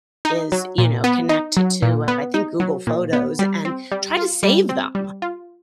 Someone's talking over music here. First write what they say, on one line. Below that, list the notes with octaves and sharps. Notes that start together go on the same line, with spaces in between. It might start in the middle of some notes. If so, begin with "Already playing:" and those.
is, you know, connect it to, uh, I think, Google Photos and try to save them.
D#4
F#3
A#2
B3
D#4
F#3
A#2
B3
D#4
F#3
A#2
B3
G3
C4
G3
F4
G3
C4
G3
F4